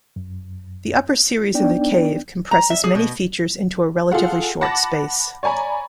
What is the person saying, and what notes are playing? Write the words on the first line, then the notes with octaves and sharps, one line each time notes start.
The upper series of the cave compresses many features into a relatively short space.
F#2
B3 D4 D#4 D5 G5
A#5
E5
G#4
B2
F4 G#4 A4 F5 F#5
F#5 A5 B5 D6 A6 A#6
C#5 D5 G#5 A#5 B5